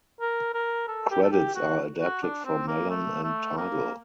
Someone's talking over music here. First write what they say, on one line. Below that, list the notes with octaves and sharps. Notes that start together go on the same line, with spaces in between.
Credits are adapted from Melon and Tidal.
A#4
A#4
A4
G4
A4
G4
F#4
F#4
D4
C4
A#3
A3
A3
A#3